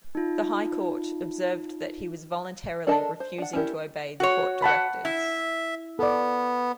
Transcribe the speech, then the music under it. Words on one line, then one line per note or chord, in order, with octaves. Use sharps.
The High Court observed that he was voluntarily refusing to obey the court directives.
D#4 F4
D4 A4 A#4 D#5 A5
C5
D4 F#5
C#4 D4 E4 G4 A#4
F#4 C#5
F#5 A5 B5
E4 E5
B3 A4 D5